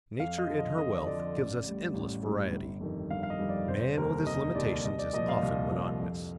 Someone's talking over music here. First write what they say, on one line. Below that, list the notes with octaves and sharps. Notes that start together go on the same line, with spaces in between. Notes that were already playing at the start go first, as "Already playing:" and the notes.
Nature in her wealth gives us endless variety; man with his limitations is often monotonous.
F2 F5
D#5
D3 F3
D#5
F2 D#5
D3 F3 D5
A1
A2 G3
A1
A2 G3
G1
F2 D#3 G3
G1 F5
F5
D#5
F2 D#3 G3
D5
F1 C5
D#2 D3 G3 A#4
F1 D#5
D#2 D3 G3 D5
C2 D#5
D5
A#2 F3 D#5
F5
C2
A#2 F3
F2